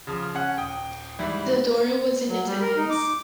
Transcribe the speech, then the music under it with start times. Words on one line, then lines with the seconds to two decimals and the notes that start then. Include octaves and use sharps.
Zadora was in attendance.
0.07 C#3 F3
0.35 C#4 F#5
0.57 D#1 G5 D#6
1.19 G#2 E3 G3 E4
2.28 F#3
2.46 G3
2.62 A#4
2.77 D#4
2.90 D6